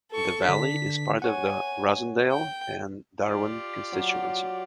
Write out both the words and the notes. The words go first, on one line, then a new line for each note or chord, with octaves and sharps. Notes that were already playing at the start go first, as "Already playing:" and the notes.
The Valley is part of the Rossendale and Darwen constituency.
A4 C#6
D3 D4 B6
C#5 F#5 G#5
G5
F4 G4 D5
F#3